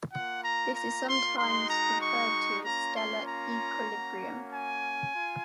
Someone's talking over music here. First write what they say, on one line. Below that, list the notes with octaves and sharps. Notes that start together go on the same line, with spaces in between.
This is sometimes referred to as stellar equilibrium.
A#3 F4 F#5
A#5
A#5
C6
G#3 D#4 F#4 C6
A#5
C#6
A#3 C#4 F4 A#5
C6
A#5
A#3 C#4 F#4
G#5
F4